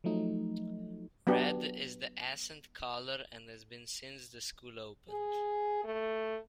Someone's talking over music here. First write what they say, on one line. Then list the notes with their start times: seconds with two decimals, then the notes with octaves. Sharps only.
Red is the accent color and has been since the school opened.
0.04 F3 F#3 A3 D#4
1.27 F#3 B3 D4 G4
5.10 G#4
5.84 A3